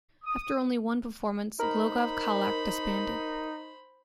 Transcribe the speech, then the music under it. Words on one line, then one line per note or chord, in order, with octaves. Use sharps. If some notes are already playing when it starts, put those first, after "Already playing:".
After only one performance Glogov Kolac, disbanded.
D#6
D#4 A#4 C5 B5